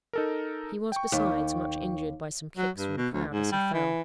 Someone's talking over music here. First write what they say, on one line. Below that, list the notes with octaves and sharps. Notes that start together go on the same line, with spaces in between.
He was, besides, much injured by some kicks from the crowd as he fell.
D#4 A4 A#4
G5 C#6
D#2
F#3
G2
B2
D2
G#2
G3
E3